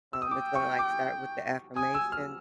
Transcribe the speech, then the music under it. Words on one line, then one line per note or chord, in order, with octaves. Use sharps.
um, is gonna, like, start with the affirmations,
E6
D#6
G5 D6
C#6
D6
G#5 D#6
E6
F6